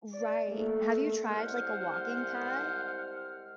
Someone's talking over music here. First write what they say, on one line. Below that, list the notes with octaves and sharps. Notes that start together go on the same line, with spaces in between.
Right. Have you tried, like, a walking pad
D5
A3 A#3
C2 G#3 C5 F#5 F6